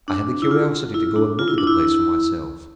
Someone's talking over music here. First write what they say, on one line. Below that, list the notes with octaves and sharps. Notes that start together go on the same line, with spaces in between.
I had the curiosity to go and look at the place for myself.
D4
E4
F4
E4
D4
F4
E4
D4
E4